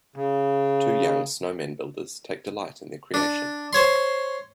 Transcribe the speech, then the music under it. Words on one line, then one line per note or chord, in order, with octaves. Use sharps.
Two young Snowman builders take delight in their creation.
C#3
D4
C5 C#5 C6